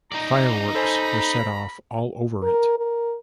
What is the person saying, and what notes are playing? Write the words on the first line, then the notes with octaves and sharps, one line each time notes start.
Fireworks were set off all over it.
D#4 D5 A#5
A4 C5 G#5 B5
A#4
A#4